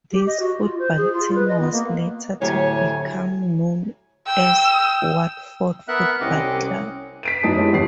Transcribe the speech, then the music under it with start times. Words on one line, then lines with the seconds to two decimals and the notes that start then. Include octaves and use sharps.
This football team was later to become known as Watford Football Club.
0.12 G4
0.27 D#5
0.40 F#4
0.59 F4
0.79 C5
0.97 G#4
1.13 F4
1.35 B4
1.48 D#5
1.60 B3
1.72 A#3
2.42 D2 A2 F#3 G4 C#5 G#5
4.27 G5 E6
5.88 B3 A#4 E5 F#5 F#6
6.21 C2 C4 C#4 D#5 F#5 D6
7.23 B6 D7 D#7
7.43 F#2 B3 D#4 B4 A5 D#6
7.57 G#3 E4 G4 C#5
7.72 G1 E2 G4 C7